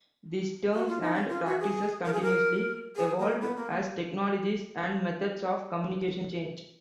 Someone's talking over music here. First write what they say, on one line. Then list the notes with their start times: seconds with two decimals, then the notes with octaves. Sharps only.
These terms and practices continuously evolve as technologies and methods of communication change.
0.74 F#4
0.87 F4
1.01 D#4
1.14 C#4
1.29 F4
1.45 F#4
1.60 G#4
2.05 A#4
2.13 G#4
2.22 A#4
2.96 G#4
3.19 A#3
3.41 B3
3.56 A#3